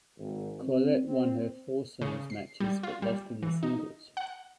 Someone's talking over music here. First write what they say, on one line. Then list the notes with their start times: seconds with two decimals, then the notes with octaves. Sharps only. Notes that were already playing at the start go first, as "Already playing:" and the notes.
Corlett won her foursomes matches but lost in the singles.
0.18 G#1
0.61 C4
1.04 C4
2.02 C#3
2.30 C7
2.60 G3
2.83 F4
3.02 G3
3.42 E3
3.63 D#4
4.17 F#5